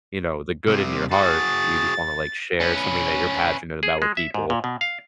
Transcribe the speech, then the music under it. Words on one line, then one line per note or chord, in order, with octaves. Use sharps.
you know, the good in your heart. You just wanna, like, share something that you're passionate about with people.
C2 C3
F#4 G#4 A6
C#4 B4
G#4
G#3
E5
G#2
A#2
B2
F5